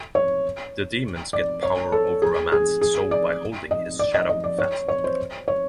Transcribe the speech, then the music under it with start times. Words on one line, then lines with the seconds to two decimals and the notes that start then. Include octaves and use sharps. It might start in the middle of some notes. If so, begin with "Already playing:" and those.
The demons get power over a man's soul by holding his shadow fast.
0.15 C#5
1.33 D5
1.63 C#5
1.92 A4
2.22 G#4
2.52 G#4
2.81 G#4
3.11 D5
3.71 D#5
3.99 D5
4.14 D#5
4.29 D#5
4.44 D5
4.59 C#5
4.88 C#5
5.04 C5
5.48 C#5